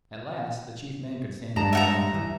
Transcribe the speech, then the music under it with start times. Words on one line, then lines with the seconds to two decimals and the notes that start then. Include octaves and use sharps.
At last the Chief Man could stand it no longer.
1.56 G2 G#3 A5 A#5
1.73 E5 F#5 A#5
2.14 E3